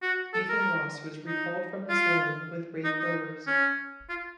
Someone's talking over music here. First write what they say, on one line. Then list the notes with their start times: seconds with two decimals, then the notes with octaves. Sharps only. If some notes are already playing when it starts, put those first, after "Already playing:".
Ethan Ross was recalled from his loan with Raith Rovers.
0.02 F#4
0.34 A4
0.49 A#4
1.27 D#4
1.90 F4
2.85 D#4
3.00 D#4
3.47 C#4
4.09 F4